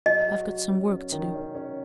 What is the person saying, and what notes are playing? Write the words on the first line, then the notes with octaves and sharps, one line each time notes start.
I've got some work to do.
F#3 D#5
F#4
F#4
C#4
C#4
D#3
C#4
C#4